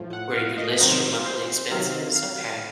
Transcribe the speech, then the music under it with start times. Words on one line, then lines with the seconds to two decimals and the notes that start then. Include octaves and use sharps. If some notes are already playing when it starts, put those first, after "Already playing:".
where you list your monthly expenses? Okay.
Already playing: A2 F3
0.13 F#5
0.35 F5
0.58 D#5
0.80 C3 D#3 F#3 C5
1.26 C5
1.71 C3 D#3 F#3 F5
2.16 F5